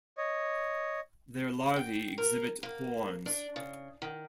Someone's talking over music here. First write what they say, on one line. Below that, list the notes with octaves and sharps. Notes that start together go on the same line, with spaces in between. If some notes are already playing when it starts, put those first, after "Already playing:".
Their larvae exhibit horns.
C#5 D#5
G5
A#4
A#3
D4
C#3
D#3